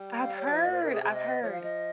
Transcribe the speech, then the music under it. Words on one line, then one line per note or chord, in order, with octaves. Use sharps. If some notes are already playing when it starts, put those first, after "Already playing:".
I've heard, I've heard.
Already playing: G3
F5
C#5
G3
F3 D#5
D#5
A#2 C5
C3 A#4
G#4
G#4
D#5
F3 C#5
F5
D#5